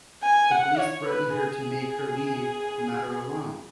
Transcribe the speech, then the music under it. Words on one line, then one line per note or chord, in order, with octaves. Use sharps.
The police threaten her to make her leave the matter alone.
G#5
F#5
C#5
B4
G#4